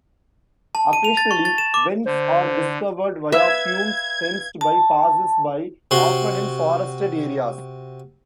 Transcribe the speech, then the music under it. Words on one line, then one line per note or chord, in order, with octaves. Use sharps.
Occasionally, vents are discovered via fumes sensed by passers-by, often in forested areas.
A5
D#7
F7
A6
C#6
A6
E7
D6
D3 C5
B4 E5 F5 E6 G#6
A5
C3 F#4 C6